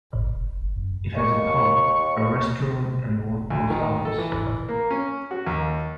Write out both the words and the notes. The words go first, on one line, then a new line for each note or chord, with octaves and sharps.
It has a pub, a restaurant and one post office.
G#1
F1
F#1
F#2
D#2 C#6
D2
D#3
A4
E3
A#3
C#4
F#4
D#2